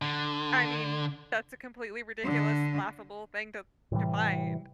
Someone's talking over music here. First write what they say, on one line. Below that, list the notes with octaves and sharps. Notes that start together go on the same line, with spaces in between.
I mean, that's a completely ridiculous, laughable thing to to find.
D3
D3
A2 C3 E3 G3